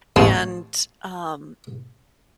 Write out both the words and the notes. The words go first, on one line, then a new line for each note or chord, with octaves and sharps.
and, um,
A1 C#5 A5 C6